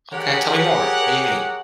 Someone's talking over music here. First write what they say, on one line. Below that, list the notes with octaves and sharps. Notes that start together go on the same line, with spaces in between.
Okay, tell me more, what do you mean?
G4 G#4 A#4 C#5 F#5